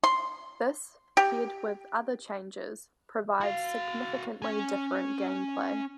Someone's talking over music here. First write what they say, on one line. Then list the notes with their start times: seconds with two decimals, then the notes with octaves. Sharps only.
This, paired with other changes, provides significantly different gameplay.
0.04 C6
1.17 G4
3.41 F#4 F5
4.42 C#4 G#5